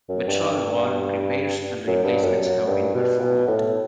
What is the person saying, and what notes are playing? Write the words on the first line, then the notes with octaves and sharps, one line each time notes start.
Mitral valve repairs and replacements have been performed.
F#2
G2
F#2
G2
F#2
F#2
G2
B2
B2
A2